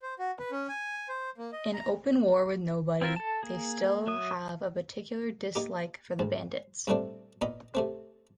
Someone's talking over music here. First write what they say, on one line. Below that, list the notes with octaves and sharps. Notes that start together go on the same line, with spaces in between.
In open war with nobody, they still have a particular dislike for the Bandits.
C5
F#4
B4
C#4
G#5
C5
A#3
D#5
A#5
C4 E4 F4 A#4 E5
A4 A5
A#3 G#4
F#3 E5 D#6
A#3 D#4 G4
D2 G#2
G2 A#2 D3 A3 C4 D4
A#2 B3 D#4 D#5 B5
C3 A3 C4